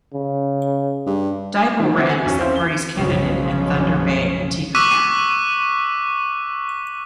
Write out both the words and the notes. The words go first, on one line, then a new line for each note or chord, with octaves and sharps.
Deibel ran as the party's candidate in Thunder Bay-Atikokan.
C#3
G2
D#3 E3
E3 C4 E4
G#5
B1 E2 F#3 C#4
C4 E4 C5 F5
G7
F#1 B1 C#3 F3 G#3 C#4
C#6 D6 E6 F#6 B6 D#7